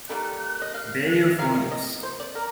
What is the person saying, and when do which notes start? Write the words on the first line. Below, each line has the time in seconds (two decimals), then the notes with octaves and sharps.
Day of wonders!
0.09 D#3 G3 A#3 A4
0.62 D#5
0.74 F5
1.39 D#3 A#3 F5
1.54 D#5
1.71 D#5
2.03 C5
2.20 D5
2.35 A#4